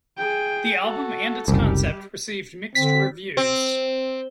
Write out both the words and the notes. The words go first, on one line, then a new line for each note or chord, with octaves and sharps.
The album and its concept received mixed reviews.
G#4 G5
F#4 A4
F#1 C2 G3 G4
D3 C4 B6
C4